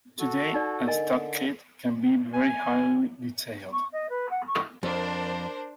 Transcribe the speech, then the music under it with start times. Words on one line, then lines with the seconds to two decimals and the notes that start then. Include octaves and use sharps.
Today, a stock kit can be very highly detailed.
0.20 F#4 A4
0.54 D#4 D5
0.87 D3 A#4 D#5 G#5
2.33 G#5
3.72 C#6
3.92 D#5
4.09 B4
4.30 F#5
4.47 C#6
4.83 F2 D4 A#4 C5